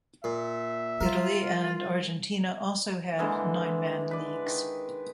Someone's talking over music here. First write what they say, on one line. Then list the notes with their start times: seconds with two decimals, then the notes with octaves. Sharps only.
Italy and Argentina also have nine-man leagues.
0.24 A#2 E5
1.01 G3 F4 A#4
3.19 D3 E3 G#3 A#3
4.11 B4 D5
4.46 D#3